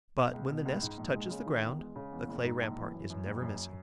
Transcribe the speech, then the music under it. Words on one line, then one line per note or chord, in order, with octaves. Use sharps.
But, when the nest touches the ground, the clay rampart is never missing.
B2
C#2
B2
C#2
G#2
A#1
G#3
C#3
D#3
E2
G#3
C#3
E2
F#1
G#2
A#1
E3
F#2
F#2
F#1
F#2